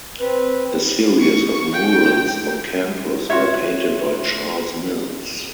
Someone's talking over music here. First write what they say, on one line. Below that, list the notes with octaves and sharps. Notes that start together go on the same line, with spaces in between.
A series of murals on campus were painted by Charles Mills.
C4 B4
C#6
G5
F4 F#4 C#5 E5